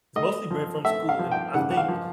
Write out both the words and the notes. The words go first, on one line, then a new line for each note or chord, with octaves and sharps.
it's mostly been from school, and I think
A3 D#5
F3
A3 E5
F5
F3
G5
C#3 F#5
F#5
F5
F3